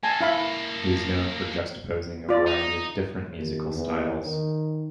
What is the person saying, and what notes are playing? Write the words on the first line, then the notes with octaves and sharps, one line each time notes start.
He is known for juxtaposing a variety of different musical styles.
A#3 A4 G#5 A5
E4 F5 B5
F4 D5
D#4
D#2
E2
D#3